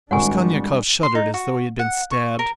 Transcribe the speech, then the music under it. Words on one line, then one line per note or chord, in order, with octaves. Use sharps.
Raskolnikov shuddered as though he had been stabbed.
G#1 G3 D4 F#5 G#5 C#6
C6
D#4
F#4
F#5
C#6
A#4